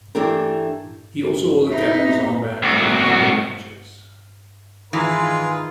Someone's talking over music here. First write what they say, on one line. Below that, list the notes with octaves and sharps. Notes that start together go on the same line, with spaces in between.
He also wore the captain's armband in many of the matches.
E3 A3 D4 G4 A#4
C4 D#4 E4 B4
C2 F#4
D#3 E3 G#3 F4 G#4 A#4 B4